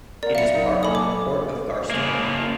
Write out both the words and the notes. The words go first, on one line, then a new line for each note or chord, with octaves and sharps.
It is part of the Port of Garston.
A#4 D5 F#5
F#3 E5 F5 B5 C#7
D#4
G#4
A#3 A4 C#5 D#5 G#5 B5 D#6
D6
C#3 A#3